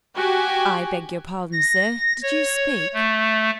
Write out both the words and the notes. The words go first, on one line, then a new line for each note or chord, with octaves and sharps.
I beg your pardon, sir, did you speak?
F#4 G4 G#5
A#6
C#5
A3